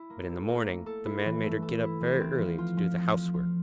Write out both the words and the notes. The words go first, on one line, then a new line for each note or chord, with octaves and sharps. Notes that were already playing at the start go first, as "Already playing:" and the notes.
But in the morning the Man made her get up very early to do the housework.
Already playing: E4
A#3
A4
A#3
A3
A4
E4
E3
A3
A4
E4
E3
C4
F3
F4
F3
C4
F3
F4